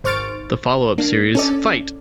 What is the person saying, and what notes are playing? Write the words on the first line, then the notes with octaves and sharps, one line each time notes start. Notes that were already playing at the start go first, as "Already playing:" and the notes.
The follow-up series, Fight!
G#1 C5 C#6 F6 A6 D7
A#3 D4
C#4 A4 D5